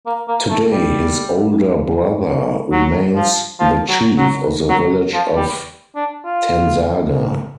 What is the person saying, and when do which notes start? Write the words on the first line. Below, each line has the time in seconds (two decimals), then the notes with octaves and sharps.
Today his older brother remains the chief of the village of Tansarga.
0.06 A#3
0.28 A#3
0.50 A3
0.72 G3
2.72 F#3
3.16 F3
3.60 F3
3.89 F#3
4.18 F#3
4.70 F#3
5.14 F3
5.36 G3
5.96 D4
6.25 F4